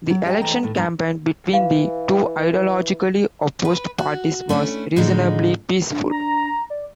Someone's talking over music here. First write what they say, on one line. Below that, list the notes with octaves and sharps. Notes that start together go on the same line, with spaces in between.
The election campaign between the two ideologically opposed parties was reasonably peaceful.
F#3
G4 D#5 F5 G5 A5
E3 A3 D#5 G5 A#5
A2 D#3 A3
E2 G2 A#4 F#5 A#5
E3 F5
B4
F#4
A3 C#4 D4 E4
A2 D3 F3 G#3 D#4
D4
A#5
D5